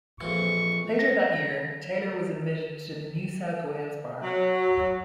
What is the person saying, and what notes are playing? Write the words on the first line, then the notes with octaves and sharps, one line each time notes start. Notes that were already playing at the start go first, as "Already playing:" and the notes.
Later that year, Taylor was admitted to the New South Wales Bar.
A#1 F2 E3 C#6
A#6
F#3